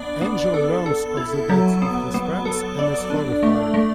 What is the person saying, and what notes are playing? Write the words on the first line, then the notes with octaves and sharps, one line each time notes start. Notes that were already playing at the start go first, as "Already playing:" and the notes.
Angel learns of the deaths of his friends and is horrified.
Already playing: B3 D4 D5
B3
A4
A4
E4
F#3
B3
B3
A4
D5
D4
A3
A3